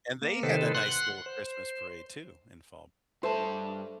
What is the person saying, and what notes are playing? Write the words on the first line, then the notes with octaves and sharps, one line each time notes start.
And they had a nice little Christmas parade, too, in Fall
A#3
C3 D#3 A4 B4 C5
F#5 C6 F#6
C5
G2 A3 C5 A5